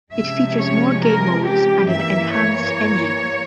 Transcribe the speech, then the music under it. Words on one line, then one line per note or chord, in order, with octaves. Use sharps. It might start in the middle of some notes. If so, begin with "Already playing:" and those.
It features more game modes and an enhanced engine.
C3 F3 G#3 C#4 E5
C#5
A#4
G4
G2 E3 A#3 E5
C#5